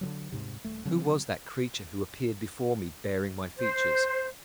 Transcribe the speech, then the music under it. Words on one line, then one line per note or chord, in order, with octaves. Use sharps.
Who was that creature who appeared before me bearing my features?
D3 E3 F#3
D#1 A#1 G#2 C3
D#1 A3
C#3 F#3 G#3 C4
C5